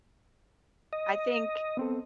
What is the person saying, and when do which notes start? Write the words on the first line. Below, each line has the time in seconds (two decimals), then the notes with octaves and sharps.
I think
0.93 D#5
1.77 B3 C4 A4